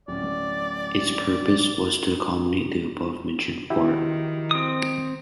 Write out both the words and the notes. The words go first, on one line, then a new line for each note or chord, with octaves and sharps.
Its purpose was to accommodate the above mentioned port.
D1 C#4 D5
D#3 E4 F#4 G4
C4 D#6